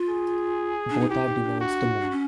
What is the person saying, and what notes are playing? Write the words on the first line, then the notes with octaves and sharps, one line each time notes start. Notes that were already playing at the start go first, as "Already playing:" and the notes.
Botha denounced the move.
Already playing: F4
G#4
D4
D#4
E4 G4
D#4
D4
F#4
D4
C#4